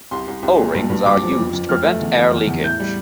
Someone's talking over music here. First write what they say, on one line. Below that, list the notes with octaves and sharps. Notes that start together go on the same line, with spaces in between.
O-rings are used to prevent air leakage.
C2 C6
C2
C2
A#2
G2
G2
G2 D6
F3
F2
F2
F2 F6
A3
E2
E2
E2
E2
A2 G6
G3